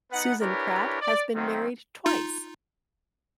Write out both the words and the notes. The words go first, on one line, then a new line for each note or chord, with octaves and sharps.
Susan Pratt has been married twice.
B3 D#4 B4 F#5
D4 E4 G4 A#4 B4 C#5
D5
D#3 F#3 A3 A#3 C4
D#4 F4